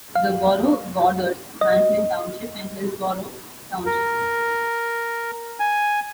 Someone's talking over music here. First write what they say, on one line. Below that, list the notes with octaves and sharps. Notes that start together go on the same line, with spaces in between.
The borough borders Franklin Township and Hillsborough Township.
F5
D#5
A#4
G#5